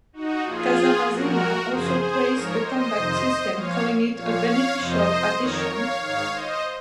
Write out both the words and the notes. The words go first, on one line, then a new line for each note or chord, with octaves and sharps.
Casamassina also praised the combat system, calling it "a beneficial addition".
D#4 F#4
A#2 F3 F4 G#4
A#2 F3 F#4 A#4
F#2 C#3 F3 G#4 C5
G#4 C5
G#2 F3 A#4 C#5
C5 D#5
F2 C3 D#3
A#2 F3 C#5 F5
A#2 F3 C#5 F5
C#5 F5
F2 C3 F3 C5 D#5
F2 D#3 A#4 C#5
C#5 F5
G#2 D#3 C#5 F5
C5 D#5